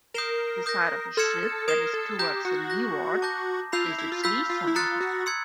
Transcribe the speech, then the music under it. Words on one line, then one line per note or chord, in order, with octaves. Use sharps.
The side of a ship that is towards the leeward is its lee side.
A#4 D#6 G6 C7 E7 G7
D#6 G6 A#6
A4 C6 F6 G#6 C#7 E7
A4
A#4 D#6 G#6 C7 E7 G7
A4
G4 A#5 D#6 G6 A#6
F#4
D6 G6 A#6
A5 D6 G6 A#6
F4 B5 E6 G6 C7 F7
E4
E4
F4
F4 B5 E6 G6 B6
F4
E4
F4 A#5 D#6 F#6 A6 C#7
F#4
C6 E6 G#6 C#7